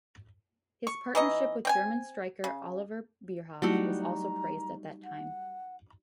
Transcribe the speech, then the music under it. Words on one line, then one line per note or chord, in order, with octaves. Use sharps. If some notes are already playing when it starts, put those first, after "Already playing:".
His partnership with German striker Oliver Bierhoff was also praised at that time.
C#6
E3 D#4 D#5
C4 G5 G#5
C#3
F#3 G3 A3 B3 D#4 E4 F#4
A#5
F#5